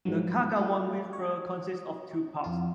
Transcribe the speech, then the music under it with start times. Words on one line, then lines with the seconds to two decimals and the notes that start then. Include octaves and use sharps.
The Kagawong River consists of two parts.
0.05 G#2 D#3 F3 F#3
0.56 A3 C#4 F4
1.13 C#5
2.44 F2 F4